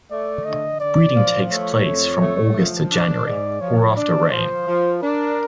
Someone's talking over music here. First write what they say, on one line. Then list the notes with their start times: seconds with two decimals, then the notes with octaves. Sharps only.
Breeding takes place from August to January, or after rain.
0.11 A3 D5
0.45 D3 D#5
0.80 D3 D5
1.15 F3
1.50 A3 C#5
1.86 F2
2.21 A3
2.56 F3
2.91 D4
3.26 G#2 D5
3.61 F3 C#5
3.96 D4 D5
4.32 F3 C5
4.67 F3
5.02 D4 A#4